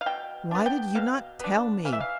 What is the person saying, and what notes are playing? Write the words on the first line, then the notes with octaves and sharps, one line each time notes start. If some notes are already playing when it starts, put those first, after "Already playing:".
"Why did you not tell me?"
F5
B2 G5
B3 D4
G5
B2 F5
B3 D4
E3 F5
E5
F5